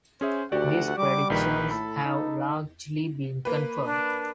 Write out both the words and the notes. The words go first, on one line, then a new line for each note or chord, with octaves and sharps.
These predictions have largely been confirmed.
C#4 G#4 C5 E5
D2 F#4 G4 D5 F#5
G3 D6
A#1 D#3 B4 B6
A2 A4 B5
D#4
A#3 B4
D4